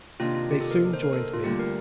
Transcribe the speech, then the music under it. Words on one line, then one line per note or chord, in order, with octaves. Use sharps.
They soon joined me.
C3 D#3 A#3 D4 F4
F4
G4
A4
A#4
C5
A#4
A4
F4
D2 D3 G3 A#3 G4
A#4